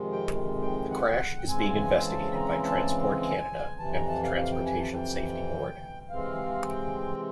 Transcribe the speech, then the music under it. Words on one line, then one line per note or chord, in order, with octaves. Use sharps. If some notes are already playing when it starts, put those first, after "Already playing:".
The crash is being investigated by Transport Canada and the Transportation Safety Board.
Already playing: F2 C3 D#3 G#3
G5
G5
F#5
G5
C#3 E3 G#3 C4 G#5
A5
A#5
A5
G#5
F2 C3 E3 A5
A#5
A5
F5
F5
G5
G#5
A5
G5
C3 E3 G#3 C4 F5
G5